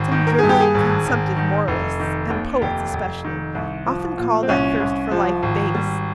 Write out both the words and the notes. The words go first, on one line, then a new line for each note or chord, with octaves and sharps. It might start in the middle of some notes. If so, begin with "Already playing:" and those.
Some driveling consumptive moralists--and poets especially--often call that thirst for life base.
Already playing: G#1
D#3
A#4
G2 G#4
G4
G#4
G#1
G#1
D#3
F1
D#3
D#2
F1 G4
F1
D#3
C2
F3
A#2
C4
C2 C#4
C2
F3
G#1
G3